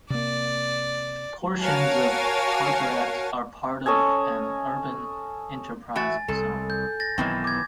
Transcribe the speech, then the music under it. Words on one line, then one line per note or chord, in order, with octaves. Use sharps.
Portions of Carteret are part of an Urban Enterprise Zone.
C3 A#3 D5
F#4 A#4 C#5 F5 G#5 A5
C#4 A4 D#5 G#5
E3 F#4 E5 G#5 A6
C2 A4
G6
A6 A#6
B1 D#3 E3 B3 C4
D6 G#6